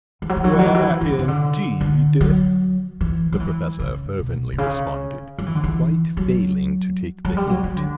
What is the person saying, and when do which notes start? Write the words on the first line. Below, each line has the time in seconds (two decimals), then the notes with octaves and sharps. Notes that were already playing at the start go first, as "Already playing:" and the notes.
"Where indeed!" the Professor fervently responded, quite failing to take the hint.
0.22 E3
0.29 F#3
0.37 E3
0.44 F#3
0.52 E3
0.59 F#3
0.66 E3
0.75 F#3
0.81 E3
1.01 E3
1.11 D3
1.19 C#3
1.28 D3
1.81 D3
2.21 F#3
3.01 E3
3.32 F#3
3.40 E3
3.80 C#3
4.19 B2
4.53 B2
4.58 C#3
5.38 F#3
5.46 E3
5.55 D3
5.64 E3
6.17 F#3
7.25 F#3
7.37 G3
7.49 F#3
7.64 F#3
7.76 D3